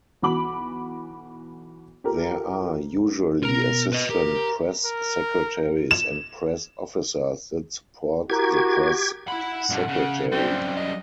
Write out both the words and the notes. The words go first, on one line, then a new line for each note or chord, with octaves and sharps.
There are usually assistant press secretaries and press officers that support the press secretary.
B1 E3 F#4 B5 D6 F#7
F4 G4 A4 A#4
B2 A#4 A#5
B4 D#5
G4 A#4
A#4
E7
E4 F#4 G4 A#4 A#5 G#6
E4 F#5 B5
G2 B2
C#3
F#2 G3 C4
D#5